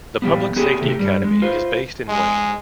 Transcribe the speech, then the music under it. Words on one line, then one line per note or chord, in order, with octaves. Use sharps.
The Public Safety Academy is based in Wayne.
A#2 F3 G3 B3
B3 G4 G#4
A2 C3 G4
G2 G3
G#3
F4 B4 C5
G#3